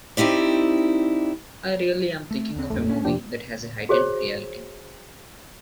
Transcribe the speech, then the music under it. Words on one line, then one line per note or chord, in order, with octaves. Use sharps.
I really am thinking of a movie that has a heightened reality.
C4 D#4 E4 G4 D5
A3
D#2 C4
A1 E2 G2 A3
C#4 D4
F2 C3 F3 D4 G4
F#4 G#4 C5 C#5